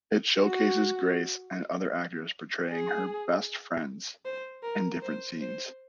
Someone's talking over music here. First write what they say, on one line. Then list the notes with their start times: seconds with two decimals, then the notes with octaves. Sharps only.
It showcases Grace and other actors portraying her "best friends" in different scenes.
0.41 F#4
2.71 G#4
4.25 C5
4.63 A#4
5.02 C5
5.41 C5